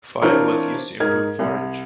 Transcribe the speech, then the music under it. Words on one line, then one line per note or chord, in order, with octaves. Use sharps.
Fire was used to improve forage.
E3 C4 D4 F4 A#4 C#5
G#2 D#4 A#4 G#6
C2